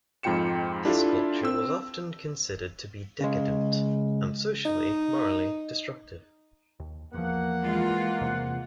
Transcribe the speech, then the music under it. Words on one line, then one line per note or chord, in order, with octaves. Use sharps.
This culture was often considered to be decadent, and socially, morally, destructive.
F2 G#2 F4 G5 C#7 E7
D4 E4 F4 G4 A4
C4 E6
C#3 G#3
D#4
D#2
E2 F3 A#3 F#5
E3 G#3 F4
E2 C3